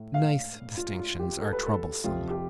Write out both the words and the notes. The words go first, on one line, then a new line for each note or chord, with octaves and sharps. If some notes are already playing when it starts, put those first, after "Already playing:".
Nice distinctions are troublesome.
Already playing: A2
F5
F4
F4
G4
A4
B4
A4
F2 C3 F3 F4
G4